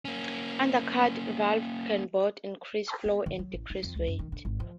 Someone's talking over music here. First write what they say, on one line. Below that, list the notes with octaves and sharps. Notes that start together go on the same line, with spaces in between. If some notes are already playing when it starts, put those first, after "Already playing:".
Undercut valves can both increase flow and decrease weight.
A#3 C#4
B3
D#3
F#3
A1
D#4
F2
C#2
F#2
D#3
D3
G#1
F3